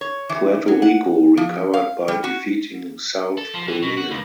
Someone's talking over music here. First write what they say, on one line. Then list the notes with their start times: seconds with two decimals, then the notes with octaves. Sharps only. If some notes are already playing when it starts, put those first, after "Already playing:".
Puerto Rico recovered by defeating South Korea.
0.01 C#5
0.29 E3
0.68 F#3
0.82 F#5
1.37 F3
1.74 F5
2.08 G3
2.24 F#4
3.38 A4
3.54 F3
3.68 E3
3.82 B2
3.97 F#4
4.11 C#2